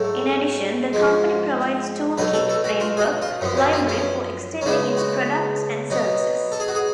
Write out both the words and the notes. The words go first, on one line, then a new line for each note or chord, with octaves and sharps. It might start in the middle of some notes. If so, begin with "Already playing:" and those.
In addition, the company provides toolkit, framework, library for extending its products and services.
Already playing: G#2 F#3 A3 A4
G#2 F3 G#3
B2 F#3 A3 B4
A4
A4
F#4
F4
G#4
F#4
F4
F#2 F3 B3
C#4
D4
C#4
C#4
C#3 G#3 B3 D4
F#4
B2 F#3 B3
A4
G#4
F#4
G#4